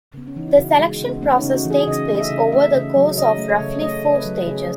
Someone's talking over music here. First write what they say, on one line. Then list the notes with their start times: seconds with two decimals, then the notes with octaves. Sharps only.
The selection process takes place over the course of roughly four stages.
0.14 C#3 B3
0.27 C#4
0.36 E3 D#4
0.48 E4
0.58 C#3 F#4
0.79 G#3
1.01 C#3
1.07 B3
1.22 A3 C#4
1.39 D#4
1.44 C#3
1.54 F#4
1.65 E3
1.70 G#4
1.87 C#3 D#5
2.09 A3
2.15 D#5
2.20 E5
2.31 C#3
2.52 A3 E5
2.74 C#3
2.95 F#3
3.17 C#3 D#5
3.38 A3
3.49 C#5
3.60 C#3
3.82 A3 D#5
4.04 C#3 C#5
4.15 B4
4.26 F#3
4.47 C#3 G#4